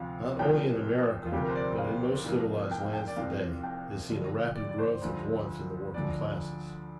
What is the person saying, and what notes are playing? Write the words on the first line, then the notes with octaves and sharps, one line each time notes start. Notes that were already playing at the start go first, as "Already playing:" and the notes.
Not only in America, but in most civilized lands to-day, is seen a rapid growth of wants in the working-classes.
Already playing: D2 C3 F3 F5
C2 A#2 F3 G5
F4
D2 C3 F3 G4
A#4
C5
D5
F5
C2 A#2 F3
G5
F5
G5
D5
C2 C3 F3 F5
G5
G2 D3 F3
D5
D5
C5
D2 D3 F3
D2 D3 F3 D5